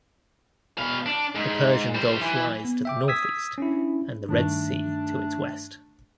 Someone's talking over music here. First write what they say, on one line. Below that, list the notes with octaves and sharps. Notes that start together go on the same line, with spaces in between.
The Persian Gulf lies to the northeast and the Red Sea to its west.
B2 F5
D4
G#2
G3 C5
E3
B3
E5 G5 D6
D#6 E6 G#6 B6
C#4 D4 E4
G2 D#3 A3 D4